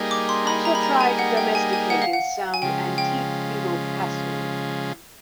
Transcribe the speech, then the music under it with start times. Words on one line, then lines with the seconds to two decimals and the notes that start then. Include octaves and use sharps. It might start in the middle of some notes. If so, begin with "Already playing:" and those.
I shall try to domesticate in some antique feudal castle.
Already playing: G3 A#3 D#4 G#4
0.11 D6
0.29 C6
0.47 B5
0.65 A#5
0.75 B5
0.83 A#5
1.01 G#5
1.19 F#5
1.37 G5
1.55 G#5
1.73 G#5
1.90 F#5
2.02 F5
2.13 F#5
2.54 G#5
2.62 C#3 F3 G#3 G5
2.98 G5